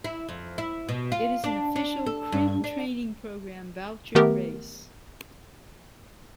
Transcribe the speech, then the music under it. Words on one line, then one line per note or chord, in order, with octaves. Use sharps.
It is an official Crim Training Program vouchered race.
E4
F2
E4
B2
F4
D4
D4
A4
G2
D4
D#3 A3 B3 G4 A#4